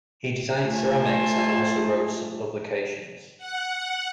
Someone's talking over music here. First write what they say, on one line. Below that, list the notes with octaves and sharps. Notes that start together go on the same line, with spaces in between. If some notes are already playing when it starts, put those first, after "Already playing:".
He designed ceramics and also wrote some publications.
A3 F4 C5 G#5 A5
F#5